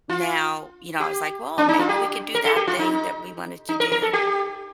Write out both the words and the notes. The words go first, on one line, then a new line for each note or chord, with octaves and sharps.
now, you know, I was like, well, maybe we could do that thing that we wanted to do
F4
G4
D4
D#4
F4
G4
A#4
A4
G4
F4
D#4
D#4
A#4
A#4
A4
G4